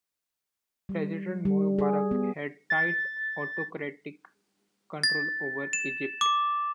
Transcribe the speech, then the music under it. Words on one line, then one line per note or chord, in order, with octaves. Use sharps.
President Mubarak had tight, autocratic control over Egypt.
G3
G3
G#4
B3
A6
A6
E7
D6